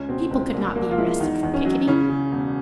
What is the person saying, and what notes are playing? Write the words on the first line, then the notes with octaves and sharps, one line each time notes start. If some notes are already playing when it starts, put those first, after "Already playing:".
People could not be arrested for picketing.
Already playing: C#2 C#4
B2 C4
C#2 C4
C2 A#3
C2 A#3
F4
G#3 E4
E2 D#4
E2
C#4
F#3
C#3 C#4
C#3
E1